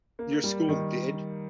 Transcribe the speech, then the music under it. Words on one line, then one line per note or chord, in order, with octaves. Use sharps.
your school did
A#3
G3
D#3